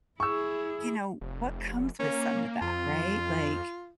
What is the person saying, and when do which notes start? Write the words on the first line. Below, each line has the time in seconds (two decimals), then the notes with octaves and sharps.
you know, what comes with some of that? Right? Like
0.20 E4 G#4 C#6 E6
1.21 F1
2.00 A#3 C#4
2.61 F2 F4